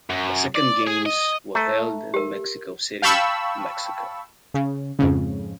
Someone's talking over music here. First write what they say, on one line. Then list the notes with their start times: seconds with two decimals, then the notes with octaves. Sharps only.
The second games were held in Mexico City, Mexico.
0.10 F#2
0.55 D5
0.87 G#4
1.06 D#5
1.55 A3 A#5
2.14 G4 A#4
3.02 F5 G5 A5 B5 C#6 E6
4.54 C#3
4.99 F2 G#2 C#3